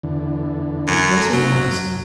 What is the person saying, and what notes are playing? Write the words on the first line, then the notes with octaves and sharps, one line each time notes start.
"Yes, he has."
E2 D3
F#2
A4 A#5
C3 F#3
F#2